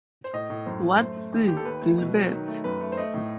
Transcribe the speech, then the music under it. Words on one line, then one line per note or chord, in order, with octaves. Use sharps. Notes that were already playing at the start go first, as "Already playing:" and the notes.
Ward C. Gilbert.
C5
A2 D#5
A2
F#2 C5
F#2
A3 C5
A3
D#2
D#2 G4
A4
D#2 B4
A3
B2
F#3
D#3
A3
F#2 B4
A3
C5
A3 D#5
A2